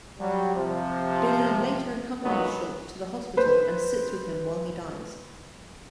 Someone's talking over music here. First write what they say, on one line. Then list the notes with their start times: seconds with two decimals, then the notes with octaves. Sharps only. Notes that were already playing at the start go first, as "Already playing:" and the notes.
Billy later accompanies Schultz to the hospital and sits with him while he dies.
0.20 F#3 G3
0.56 C3 F3
2.23 C#2 G2 D#3 F#3 B3
3.37 B4 C5